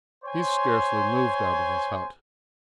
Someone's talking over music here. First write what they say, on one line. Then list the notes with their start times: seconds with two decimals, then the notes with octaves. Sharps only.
He scarcely moved out of his hut.
0.24 C5 C#5 G#5 C6